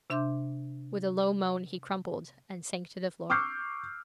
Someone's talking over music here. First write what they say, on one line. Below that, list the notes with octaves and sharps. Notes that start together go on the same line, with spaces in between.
With a low moan he crumpled and sank to the floor.
C3 D4 E5 C6 D6 G6
C#6 D6 E6 F6 G6 C7